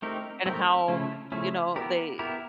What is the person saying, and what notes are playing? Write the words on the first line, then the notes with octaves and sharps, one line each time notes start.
and how, you know, they
A3 C4 D#4 G4 A#4
A3 C4 D#4 G4 A#4
C#3 F3 A3 C#4 E4
C#3 F3 A3 C#4 E4
B3 E4 G4 A#4
B3 E4 G4 A#4